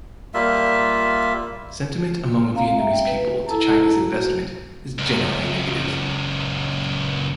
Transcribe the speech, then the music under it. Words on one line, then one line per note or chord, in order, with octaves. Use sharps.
Sentiment among Vietnamese people to Chinese investment is generally negative.
G3 A#3 F4 E5
C4 F5 A#5
E5 G5
B4
E4 A4 A5 A#5
F#4
C#2 F#2